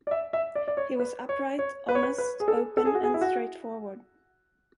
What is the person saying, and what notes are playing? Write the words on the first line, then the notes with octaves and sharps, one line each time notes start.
He was upright, honest, open and straightforward.
D5
E5
E5
D5
D5
C#5
B4
C#5
C#5
B4
C#5
B4
B4
G#4
A4
A4
G#4
F#4
G#4
E4
F#4